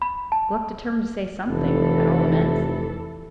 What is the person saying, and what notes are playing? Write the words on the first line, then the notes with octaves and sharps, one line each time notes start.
Gluck determined to say something at all events.
B5
A5
F1 E3 A4